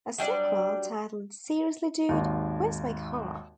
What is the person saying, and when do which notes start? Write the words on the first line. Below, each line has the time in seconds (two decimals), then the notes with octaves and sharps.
A sequel titled Seriously Dude, Where's My Car?
0.18 F#3 G3 D4 D5
2.09 G#1 D#2